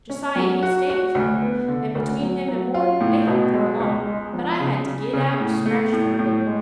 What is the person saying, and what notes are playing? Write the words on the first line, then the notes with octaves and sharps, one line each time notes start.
Josiah he stayed with her, an' between him an' 'Mord,' they helped her along, but I had to git out and scratch for a livin'.
C#4
F#3
F#4
F#4
D2
B3
D3
D2
F#3
F#3
F4
A2
B2
G#3
C#2
G#3
F3
C#3
C#3
C#3
A2
A3
A2
A2
G#3